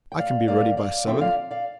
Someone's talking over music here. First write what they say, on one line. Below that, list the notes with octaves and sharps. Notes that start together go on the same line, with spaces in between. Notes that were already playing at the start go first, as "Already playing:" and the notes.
I can be ready by seven.
G5
D5 F5
A#2 G3 A#3 D5 F5
D5 F5
D3 F3 C4 E5 G5
D5 F5
D5 F5